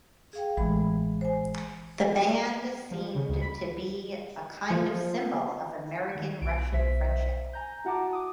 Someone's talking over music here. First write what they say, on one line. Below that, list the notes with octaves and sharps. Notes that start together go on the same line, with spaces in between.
The band seemed to be a kind of symbol of American-Russian friendship.
G#4 F5 G5
A1 E3 G#3 B5
C5 G#5
F3
C#3
D2
B5
F3
D#3 G#6
B1 D7
B1 C5 E5 B6
G#5 A#5 G6
E4 F#4 F#5 A5 A#5 D6
D6 D#6